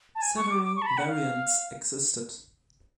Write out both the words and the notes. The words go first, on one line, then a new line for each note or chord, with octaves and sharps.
Several variants existed.
A5
G#5
C#6
D6
D6
C#6
A5
B5
F#5
F5